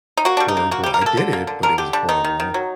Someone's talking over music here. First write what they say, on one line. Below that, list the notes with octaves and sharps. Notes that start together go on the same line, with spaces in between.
horrible. I did it, but it was horrible.
D#4
A#3 F#4
G3 D4
D#4
A#3
A#3 F#4
G3 G4
A#4
A#3 A4
D3
A#3
D3
D3 A#4
D3 G4
G3 D4
D#3 D#4
D#3
D#3
F#3